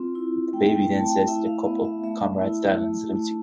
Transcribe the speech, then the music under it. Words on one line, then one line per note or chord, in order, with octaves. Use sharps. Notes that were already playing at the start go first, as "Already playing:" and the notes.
The baby then says to the couple Comrade Stalin salutes you!
Already playing: C4 F4
E4
A3 G5
G5
A3 A5
G5
E4 E5
F5
B3
E5
A3 E5
E4
A3
A3